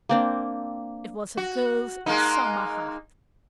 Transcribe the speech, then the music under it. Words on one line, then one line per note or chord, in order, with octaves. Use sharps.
It was a girl's summer hat.
A#3 C4 D4
F#4
G#3 A#3 D#4